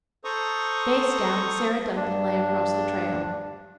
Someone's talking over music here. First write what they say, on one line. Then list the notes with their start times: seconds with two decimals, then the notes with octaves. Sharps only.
Face down, Sarah Duncan lay across the trail.
0.24 A4 C5 A#5 C#6 D#6
1.96 G2 D4